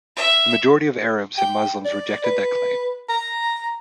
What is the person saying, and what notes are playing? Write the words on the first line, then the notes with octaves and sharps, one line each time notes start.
The majority of Arabs and Muslims rejected that claim.
E5
G5
D5
B4
A#5